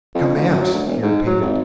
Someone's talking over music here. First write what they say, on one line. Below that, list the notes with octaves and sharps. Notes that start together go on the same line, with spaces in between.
"Come--out," he repeated.
F2
D2
F#2
F#3
D2
E1
G#2
F#3
G#1